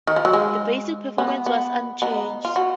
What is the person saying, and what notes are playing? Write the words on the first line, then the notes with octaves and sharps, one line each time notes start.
Basic performance was unchanged.
D#3
F3
F#3
G#3
B3
B3
B3 D#4
F4
F#4